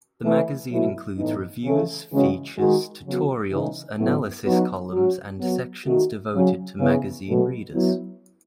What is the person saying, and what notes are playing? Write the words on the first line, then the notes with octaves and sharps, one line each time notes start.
The magazine includes reviews, features, tutorials, analysis columns and sections devoted to magazine readers.
E3 A3 E4
B2 F#3 A3 E4
A2 E3 B3 D#4
C#3 E3 A3
C#3 E3 G#3 C#4 F#4
D#3 G#3 D#4 F#4
C#3 F#3 B3 F#4
C#3 E3 G#3 D#4
A2 F#3 B3
F#3 B3 D#4 F#4
F#3 C#4 F#4
F#3 B3 F#4
D#3 A3 D#4 F#4
C#3 F#3 C#4
C#3 E3 B3
B2 F#3 A3
F#3 B3 E4